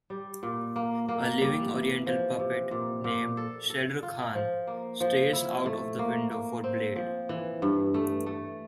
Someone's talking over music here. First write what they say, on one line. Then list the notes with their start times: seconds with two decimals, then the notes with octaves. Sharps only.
A living oriental puppet, named Shredder Khan, stares out of the window for Blade.
0.10 G3
0.43 A#2
0.76 A#3
1.08 A#3
1.41 G3
1.73 E3
2.06 F3
2.39 C3
2.71 A#2
3.04 A#2
3.37 A4
3.70 A4
4.03 F4
4.35 F3
4.67 A#3
5.00 F3
5.33 E4
5.66 A3
5.99 A#3
6.31 A#3
6.64 C4
6.96 F3
7.29 E3
7.62 G2
7.94 A3
8.26 A3